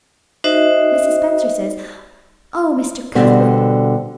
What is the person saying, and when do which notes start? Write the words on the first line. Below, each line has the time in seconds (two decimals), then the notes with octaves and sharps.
Mrs. Spencer says--oh, Mr. Cuthbert!
0.44 D#4 F#4 C5 D#5 E5
3.15 B2 D3 G3 C4